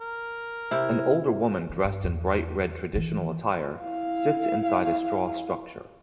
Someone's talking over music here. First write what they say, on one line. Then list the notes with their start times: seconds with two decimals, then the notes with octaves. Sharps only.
An older woman dressed in bright red traditional attire sits inside a straw structure.
0.01 A#4
0.71 C3 E4
1.70 E3
1.85 G2
2.04 E2
2.94 D#3 E3
3.79 E4 F5